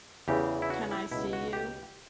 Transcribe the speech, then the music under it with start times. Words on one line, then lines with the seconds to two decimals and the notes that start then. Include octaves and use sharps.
Can I see you?
0.28 E2 C#3 E3 G4
0.62 E4
0.70 F#4
0.91 E4
1.11 C#2 B2 E4
1.33 F#4
1.53 G4